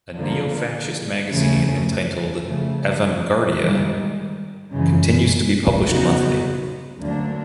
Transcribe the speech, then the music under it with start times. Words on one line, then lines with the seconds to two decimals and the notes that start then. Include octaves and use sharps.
A neofascist magazine entitled "Avanguardia" continues to be published monthly.
0.14 D3 F3 A#3
1.29 D#2 C#3 F3 A3 C#4
2.44 C#3 F3 A3
3.57 G#2 D#3 G3
4.71 F#2 C#3 E3 G#3
5.85 C#3 F#3 B3 D#4 F#4
7.00 D2 D3 F#3 A#3 D4